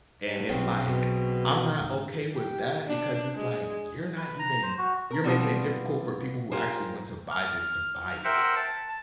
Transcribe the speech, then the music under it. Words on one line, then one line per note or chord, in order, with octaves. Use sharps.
and it's, like, I'm not okay with that because it's, like, "You're not even you're making it difficult for people who actually want to buy this to buy it,
G2
B1 C#3 C4
B2
G#2 D3
G4
D4
G#3
B4
A#5
C5
F#4
A#4
B2 F3 G3 B3 C4
F4 G4 G#4 A#4 C5
F6
A#4 C5 E5 F#5 G5
A5